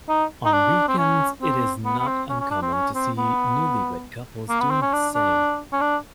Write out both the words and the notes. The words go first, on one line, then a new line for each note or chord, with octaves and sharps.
On weekends it is not uncommon to see newlywed couples doing the same.
D#4
D#4
D4
C4
C#4
C4
B3
B3
C4
C#4
C#4
D4
C4
C#4
C4
B3
A#3
B3
C4
C#4
D4
D4
C#4
D4